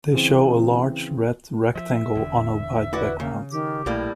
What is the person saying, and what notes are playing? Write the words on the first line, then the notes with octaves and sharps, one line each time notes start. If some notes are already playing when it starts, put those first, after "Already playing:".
They show a large red rectangle on a white background.
C#3 E3 C4
F3 E5
E1 E2 D3
E4 F#4 B4 D5
C#3 A#3
D#3 G4
A#1 A2 G3 A#3 E4